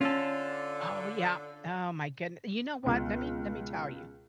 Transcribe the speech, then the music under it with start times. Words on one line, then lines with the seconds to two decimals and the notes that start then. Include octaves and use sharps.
Oh, yeah. Oh my goodne You know what? Let me let me tell you.
0.01 D3 C#4 F4 A4
2.83 C#2 B2